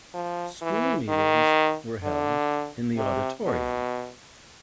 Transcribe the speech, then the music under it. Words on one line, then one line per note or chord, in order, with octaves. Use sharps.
School meetings were held in the auditorium.
F3
E3
D#3
D3
C3
B2